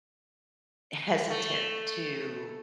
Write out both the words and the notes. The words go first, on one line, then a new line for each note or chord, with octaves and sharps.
eh hesitant to,
A3